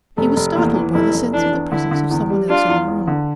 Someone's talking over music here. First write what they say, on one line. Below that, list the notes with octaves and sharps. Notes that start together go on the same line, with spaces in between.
He was startled by the sense of the presence of some one else in the room.
F1 A3
F1
E2 A#3
E3
F1 E4
F1
E3 D4
E2
D3 E4
D3
E2
G3
D4 F4
E2
E2
D3